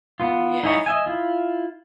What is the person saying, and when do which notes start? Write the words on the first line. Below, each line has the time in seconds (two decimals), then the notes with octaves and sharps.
Oh, yeah.
0.20 B3 F4
0.63 D#4 E4 G#4 C#5
0.86 D#5 E5 G#5
1.06 E4 F4